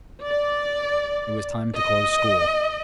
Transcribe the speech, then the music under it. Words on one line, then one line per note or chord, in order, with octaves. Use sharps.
It was time to close school.
D5
D#5